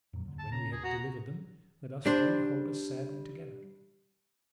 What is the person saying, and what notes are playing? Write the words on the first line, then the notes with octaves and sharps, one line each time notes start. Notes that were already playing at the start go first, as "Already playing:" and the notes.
And when we have delivered them, let us three hold us sadly together.
F2 A#2 F#3
D#2 D3
A5
A2 C#3 C#4 A#5
D#2 G#4
F#4 A#5
G3 D4 C5